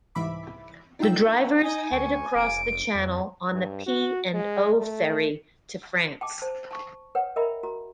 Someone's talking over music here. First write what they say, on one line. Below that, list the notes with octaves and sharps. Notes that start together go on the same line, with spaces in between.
The drivers headed across the Channel on the P and O Ferry to France.
C2 G#2 E3 E5 B5 D6
D4 D#4 F4 G5 E6
D#4 D#5 G#5
D2 C#6
F1 D7
F2
G2
F#4
G#3
A3
G5 A5 D6
C5 A5
A5 C#6
B4 C#5 F#5 G5
A#4 D#5 E5 G5 A#5 B5
F#4 A#5